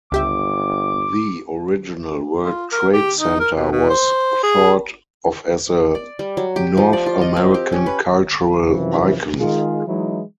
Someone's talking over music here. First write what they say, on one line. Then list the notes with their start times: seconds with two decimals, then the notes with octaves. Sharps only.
The original World Trade Center was thought of as a North American cultural icon.
0.12 G1 C#2 G4 E5 D6
2.44 F4
2.72 A#4
2.93 G4
3.20 D#4
3.40 A#4
3.56 B2
3.72 B2
3.90 C5
4.43 G#4
5.95 D5
6.19 G3
6.37 F#3
6.56 G4
6.77 F3
6.93 D5
7.06 F4
7.21 D#5
7.37 C4
7.54 G4
7.72 C#4
7.86 B4
8.67 F#2 C3 E3 F3
9.39 D#3 G#3 F4 G#4
9.87 E3 F#3 G#3 D#4 E4